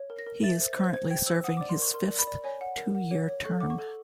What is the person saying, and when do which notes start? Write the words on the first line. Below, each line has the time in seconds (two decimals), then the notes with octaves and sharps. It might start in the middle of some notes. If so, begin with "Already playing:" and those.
He is currently serving his fifth two-year term.
Already playing: C#5
0.10 A#4
0.19 A#6
0.26 A#4
0.43 E5 A6
0.61 C5
0.77 C5
0.93 C5 G#6
1.10 G5 G#6
1.27 C5 E6
1.44 F#5 D#6
1.57 D5 D6
1.69 C6
1.78 A#4 C#6
1.94 A#4 C6
2.10 D5
2.19 B5
2.27 D5
2.44 C#5 G#5
2.61 F#5
2.77 A#4
2.95 F#5
3.11 C#5
3.28 C#5
3.44 A4 C#6
3.60 F#5 D6
3.70 C#6
3.78 A4